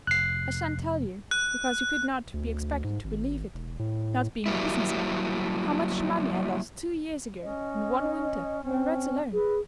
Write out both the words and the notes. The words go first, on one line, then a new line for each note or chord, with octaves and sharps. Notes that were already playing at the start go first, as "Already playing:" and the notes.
I shan't tell you, because you could not be expected to believe it, not being a business man, how much money I lost two years ago in one winter, by rats alone.
F1 F#6 C7
F#6
D2
G#2
G#1
E1
A2
F#3 G3 A#3 E4
C#4 D#5
C4 C#4
G#4 B4